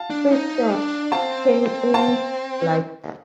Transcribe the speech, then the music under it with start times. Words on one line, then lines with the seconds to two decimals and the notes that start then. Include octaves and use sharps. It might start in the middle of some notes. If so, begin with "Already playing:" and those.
Please, sir, he came in like that.
Already playing: F5 A5
0.10 D4
0.31 D#4
0.72 D4
1.12 C4 F5 A5
1.94 F5 A5